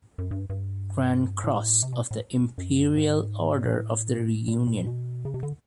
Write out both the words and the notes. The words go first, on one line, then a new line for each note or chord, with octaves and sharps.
Grand Cross of the Imperial Order of the Reunion.
F#2
G2
G2
A2
C3
B2
A2
F#2
G#2
A#2
A2
A#2
A#2
B2
C#3
C3
D3